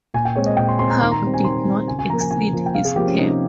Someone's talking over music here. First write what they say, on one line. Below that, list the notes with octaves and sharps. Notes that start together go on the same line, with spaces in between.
Hawke did not exceed his cap.
A#2 G#5
G5
G#3 C4 C#5
D#5
A#2 G5
C6
G#3 C4 C6
A#5
D#3 C6
A#5
G3 C4
G#5
D#3 C6
G3 C4
C#3 G#5
G#5
F3 A#3 A#5
G#5
C#3 G#5
F3 A#3
G5
C3 F5
G#4
F3 A#3 G4
C#4
C3 D#4